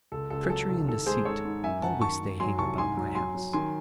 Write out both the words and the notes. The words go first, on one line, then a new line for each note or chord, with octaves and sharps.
Treachery and deceit--always they hang about my house.
C#2 A4
C#2 A4
G#4
F#3 A4
C2
D#3 A4
G#3 G#4 C5
G#2 A4 C#5
G#2
F#2 E5 G#5
F#2 F#5 A5
D#3 A5 C#6
G#2
F#3 G#5 C6
C2 A5 C#6
G#2 G#5 C6
F#3
F#3 G#5 C6
F#3
D#3 G#5 C6